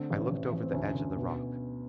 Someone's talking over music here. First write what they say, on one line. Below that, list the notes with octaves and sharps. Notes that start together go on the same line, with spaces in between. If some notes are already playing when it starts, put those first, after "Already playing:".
I looked over the edge of the rock.
Already playing: D3 A3 C4
A1
A1
A1
C4
D2 C#4
D2
B2